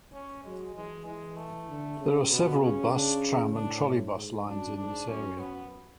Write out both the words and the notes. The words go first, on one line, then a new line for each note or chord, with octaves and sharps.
There are several bus, tram and trolleybus lines in this area.
C#4
F#3 G#3
E3 G#3
E3 G#3
A3
D3
C#3
B2 B3
C#3 C#4
C#3 D4
A2 D4
G#2
F#2 D4
G#2 D4
F#2 C#4
B3